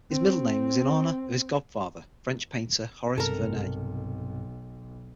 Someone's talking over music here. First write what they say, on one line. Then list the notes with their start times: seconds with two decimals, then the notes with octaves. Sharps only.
His middle name was in honour of his godfather, French painter Horace Vernet.
0.11 C4
3.18 B1 G2 C3 A4 A#4